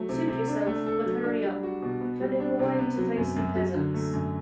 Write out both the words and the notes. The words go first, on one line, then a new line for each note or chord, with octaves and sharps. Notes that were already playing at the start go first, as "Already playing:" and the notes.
Suit yourself, but hurry up. - Turning away to face the peasants.
Already playing: F#3 A3
C3
C3
D4
A3
A4
F#3
D4
G3
F#4
B2
B3
G3
D4
C3
B3
F#3
F#2
F#2
F#3
D3
A3
F#2